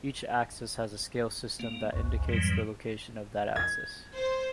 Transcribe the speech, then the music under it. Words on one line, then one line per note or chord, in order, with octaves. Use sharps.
Each axis has a scale system that indicates the location of that axis.
A#3
G#1 C#2 F#2
F2 G#2 E3 F#3 G3
G#6
C5